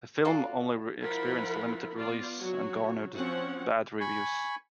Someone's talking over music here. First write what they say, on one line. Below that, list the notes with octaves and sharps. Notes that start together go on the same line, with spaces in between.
The film only experienced a limited release, and garnered bad reviews.
F4 F#4 A4 D5 F5
F3 E4 F4 A#4 F#5 B5
B3 F4 D5
F#3 F#4 C#5
F3 C4 C#4 C#5 F#5
G#5 B5 C#6